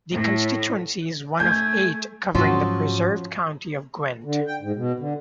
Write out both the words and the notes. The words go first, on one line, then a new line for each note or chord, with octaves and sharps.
The constituency is one of eight covering the preserved county of Gwent.
A2
A3 G#5 G6
G#2 F3 F#3 C#4 F#4
D3
G5
G#2
B2
D3